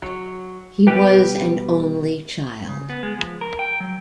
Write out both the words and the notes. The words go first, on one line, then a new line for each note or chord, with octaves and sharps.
He was an only child.
F#3
B2 G3 G4 B4 G5
C#3
B3
G#3
F3
A#4
G5
F#3